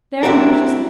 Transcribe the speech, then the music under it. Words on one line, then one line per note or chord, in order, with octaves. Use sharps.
'There, now!' she said.
C4 D4 E4 F#4 G4 A#4